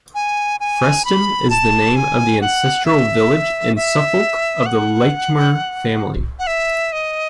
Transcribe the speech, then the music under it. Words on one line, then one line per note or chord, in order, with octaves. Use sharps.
Freston is the name of the ancestral village in Suffolk of the Latymer family.
G#5
G#5
B5
A5
G#5
F#5
E5
E5
F#5
F#5
E5
D#5